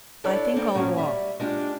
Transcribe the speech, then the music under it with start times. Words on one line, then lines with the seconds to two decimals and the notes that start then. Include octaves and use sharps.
"I think I'll walk."
0.24 D4 E4 A4 C#5 D5
0.54 A#3 C4 D4 A4
0.74 A2 F#3 A#3 C#4
0.98 G3 E5
1.40 G#3 D4 F4 G4